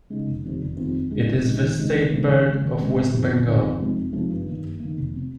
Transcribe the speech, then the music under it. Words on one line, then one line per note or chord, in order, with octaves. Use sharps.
It is the State bird of West Bengal.
C#3 G#3 D#4
F1
F2 D#3 G3 C4
F1
F2 D#3 G3 C4
F2
C#3 G#3 D#4
F2
C#3 G#3 D#4
D#2
C#3 G#3 C4 D#4
D#2
C#3 G#3 C4 D#4
D#2
C#3 G#3
D#2
C#3 G#3
G1
F2 D#3 G3
G1
F2 D#3 G3
F2
C3 F3 G#3 D#4
F2
C3 F3 G#3 D#4
G2
D#3 A#3
G2
D#3 A#3
F1
C3